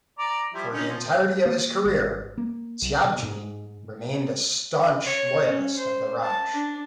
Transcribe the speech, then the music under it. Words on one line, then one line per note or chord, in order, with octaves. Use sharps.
For the entirety of his career, Tyabji remained a staunch loyalist of the Raj.
D5 A#5 D6
F3 G3 E4
D3 C#4 D#4
F3
A#3
G#1
A#3
B1
B2
G#2
C#5
C#4
C5
A5
D4